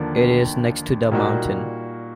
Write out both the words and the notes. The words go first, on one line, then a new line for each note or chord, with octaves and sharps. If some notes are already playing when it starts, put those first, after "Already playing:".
It is next to the mountain.
Already playing: D#2 D3 F3 A#3 D4
A#2 G3 A#3 D#4 F#4